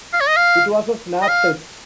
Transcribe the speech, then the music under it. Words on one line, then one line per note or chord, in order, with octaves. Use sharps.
It was a snap test.
F5
C#5
D#5
F5
D#5
F5